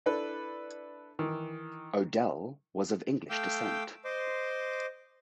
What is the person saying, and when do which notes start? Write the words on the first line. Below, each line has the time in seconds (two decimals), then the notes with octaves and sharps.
Odell was of English descent.
0.06 D4 E4 A4 B4
1.19 D#3 E3
3.30 A3 F5 G5 D6 E6 G6
4.05 C5 D#5 C6 D6